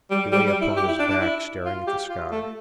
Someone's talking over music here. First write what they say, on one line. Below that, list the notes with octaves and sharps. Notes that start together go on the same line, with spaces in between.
He lay upon his back staring at the sky.
G3
G3
G3
E4
G4
E4
D4
D4
E4
F4
G4
F4
A3